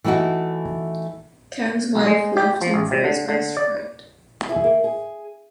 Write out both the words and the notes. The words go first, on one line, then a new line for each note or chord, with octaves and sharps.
Ken's wife left him for his best friend.
E3 A3 D#4 E4 F#4
B1
G#3
G4
F3
A1
C3
D3
D3
D5
E4 F#4 G#4
A#3
G#4